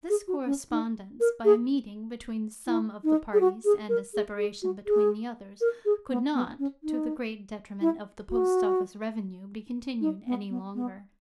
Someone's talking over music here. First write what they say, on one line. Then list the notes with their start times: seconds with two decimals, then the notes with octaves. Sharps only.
This correspondence, by a meeting between some of the parties, and a separation between the others, could not, to the great detriment of the Post Office revenue, be continued any longer.
0.09 G#4
0.28 F#4
0.46 C#4
0.71 D#4
1.20 A#4
1.45 G#4
2.67 E4
3.04 D#4
3.34 G#4
3.40 F#4
3.65 G#4
3.89 A#4
4.14 G#4
4.38 G#4
4.62 F#4
4.87 G#4
5.61 A#4
5.85 G#4
6.10 B3
6.34 B3
6.59 C#4
6.83 D#4
7.81 E4
8.30 F#4
10.01 D#4
10.27 B3
10.50 B3
10.75 B3